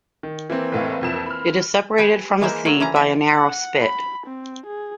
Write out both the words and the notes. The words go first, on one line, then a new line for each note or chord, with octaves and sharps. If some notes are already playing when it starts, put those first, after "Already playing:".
It is separated from the sea by a narrow spit.
D#3
E3 A#3 C4
F1 A2 F5
C2 F2 E7
B5 F6
G4 B4 G5 G#5
E3 G#3 A#3 A#4 C5 E5
D3 F#3 A3 A#3
E3 C#4 F5 A#5
E5
F#5
B5
C4
G#4